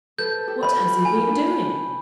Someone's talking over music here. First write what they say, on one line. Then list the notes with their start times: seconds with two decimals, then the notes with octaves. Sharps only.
What has he been doing?
0.18 A4 B4 G6
0.47 G4 A4
0.63 B5
0.76 F4 G4
1.05 D#4 F4 G#5
1.27 D4 E4